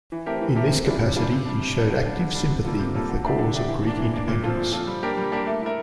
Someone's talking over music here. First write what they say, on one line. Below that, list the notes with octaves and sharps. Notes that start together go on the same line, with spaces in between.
In this capacity, he showed active sympathy with the cause of Greek independence.
E3
A3 C4 G4 A#4
E3
A3 C4 G4 A#4
C3
E3 G3 D4 F4
C3
E3 G3 D4 F4
C3
G3 D4
C3
G3 D4
D3
G3 D4
D3
G3 D4
C3
G3 A#3 F4 A4
C3
G3 A#3 F4 A4
D3
A3 D4 G4
D3
A3 D4 G4
E3
A#3 D4
E3
A#3 D4
A#2
F3 C4 F4 A4
A#2
F3 C4 F4 A4
G3
A#3 D4 G4 A#4
G3
A#3 D4 G4 A#4
A3
E4 A#4